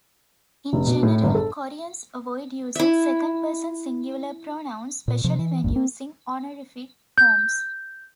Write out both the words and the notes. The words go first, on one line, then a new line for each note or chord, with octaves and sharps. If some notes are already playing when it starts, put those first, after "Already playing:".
In general, Koreans avoid using second person singular pronouns, especially when using honorific forms.
F1
B2
A2
G1
A4
E4 E5
A#2
C3 F3
E3
G#1 C#2 G2
C4
G6